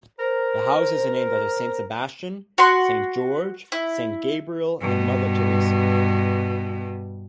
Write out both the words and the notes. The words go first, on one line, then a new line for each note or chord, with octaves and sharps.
The Houses are named after Saint Sebastian, Saint George, Saint Gabriel, and Mother Teresa.
A#4 C5
F#4 F#5 C6
E4
G2 B2